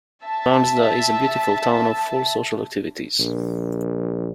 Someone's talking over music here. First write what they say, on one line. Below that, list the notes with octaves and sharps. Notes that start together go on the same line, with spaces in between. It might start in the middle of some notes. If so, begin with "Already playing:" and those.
Vansda is a beautiful town of full social activities.
E5 A5
A#1